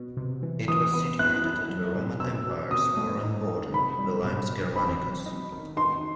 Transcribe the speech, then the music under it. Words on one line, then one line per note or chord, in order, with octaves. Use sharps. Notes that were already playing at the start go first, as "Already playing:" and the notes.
It was situated at the Roman Empire's northern border, the Limes Germanicus.
Already playing: B2
C3
E3
E3 D#6
B3
E4 F#6
E4
F#3
C3
B2 E6
B2
B2 D#6
A3
D#4
D#4
C3 B5
G3
B2
B2
C4 B5
F#3
D#4
D#3
D#4 C6